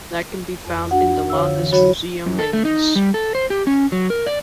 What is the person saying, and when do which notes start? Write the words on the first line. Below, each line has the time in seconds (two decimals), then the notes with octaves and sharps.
That can be found in the "Landesmuseum Mainz".
0.65 F2
0.91 D4 F#4 F#5
1.30 D3 C#5 F5 E6
1.56 E3
1.72 F#3 F#4 C#5 B5
2.26 F#2
2.39 A4
2.53 A3
2.65 D#4
2.96 G3
3.14 A4
3.35 C5
3.50 G4
3.67 C#4
3.92 F#3
4.10 A#4
4.26 D5